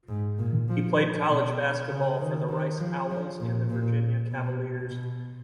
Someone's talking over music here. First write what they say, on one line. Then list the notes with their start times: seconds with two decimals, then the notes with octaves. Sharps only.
He played college basketball for the Rice Owls and the Virginia Cavaliers.
0.09 G#2
0.39 A#2
0.69 F3
1.28 B2
1.90 C#3
2.19 D#3
2.49 D#3
2.80 F3
3.10 F3
3.40 A#2
3.70 A#2
4.31 B2
4.90 B2